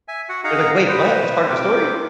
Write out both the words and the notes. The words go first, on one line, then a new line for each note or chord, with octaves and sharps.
You're like, "Wait, what? It's part of a story?
E5 G#5
F#4 F#5
D#4 G#4 F5 F#5 A#5
B4 C5
C4 A#4 G5 D6